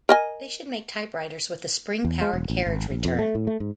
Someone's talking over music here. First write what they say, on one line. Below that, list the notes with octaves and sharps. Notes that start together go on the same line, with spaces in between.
They should make typewriters with a spring-powered carriage return.
A#4 D#5 G#5
E2
G#3
E1
A1
G#1
A#1
F2
A3
A2
A3
G#2